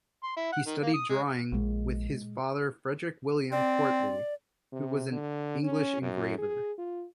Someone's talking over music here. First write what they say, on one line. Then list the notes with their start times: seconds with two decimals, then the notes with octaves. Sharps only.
He studied drawing with his father Frederick William Quartley, who was an English engraver.
0.24 C6
0.37 E4
0.52 F#5
0.66 D#3
0.82 A#3
0.94 D#6
1.09 G#3
1.52 A#1 A#2 G#3
3.52 C4 D5
4.72 C3
5.12 D3
5.63 C#4
6.02 F#2
6.38 G#4
6.78 F4